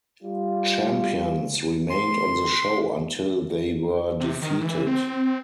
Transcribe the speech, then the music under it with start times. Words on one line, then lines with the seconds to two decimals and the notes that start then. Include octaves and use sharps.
Champions remained on the show until they were defeated.
0.23 G3 F4
1.90 C6
4.20 C3
4.42 D#3
4.61 E3
4.87 C4